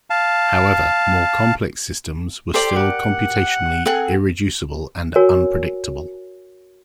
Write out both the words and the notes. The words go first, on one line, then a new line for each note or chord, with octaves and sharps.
However, more complex systems were still computationally irreducible and unpredictable.
F5 A5
G4 A4 C5 D5 G5 C6
A#4 F#5
C4 G#4 A4 F#5 G5
F#4 A#4 C#5 G#5